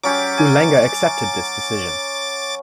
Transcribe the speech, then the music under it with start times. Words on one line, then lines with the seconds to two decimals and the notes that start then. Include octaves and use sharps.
Ulenga accepted this decision.
0.03 F#3 C#4 G4 D6 A6
0.38 G#5